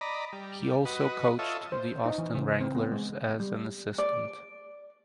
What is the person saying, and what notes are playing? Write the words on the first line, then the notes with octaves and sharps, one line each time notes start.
He also coached the Austin Wranglers as an assistant.
D5 D#5 A#5 B5
G3
F#4 B4 D#5
F4 A4 C#5 D#5 E5
C5
D#4
E3
C#3
C4
B3
G#3
G3
D5